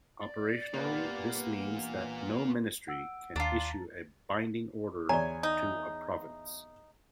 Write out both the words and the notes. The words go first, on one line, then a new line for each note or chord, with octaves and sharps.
Operationally, this means that no ministry can issue a binding order to a province.
D5
G2 A#3 B3 F4
E3
F#5 E6 D7
D#2 D4 F4 A5 A#5 A6
E2 C#5 D5 G#5 A#5
D#4